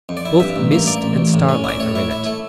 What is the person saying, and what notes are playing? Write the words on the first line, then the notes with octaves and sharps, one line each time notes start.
Both mist and starlight are in it.
F2
D5
E4
G2 E5
A1
A#3
A#3 D5
A1
A1
A2
C#4
E4 D5
A2 C#5
E4
E4
A3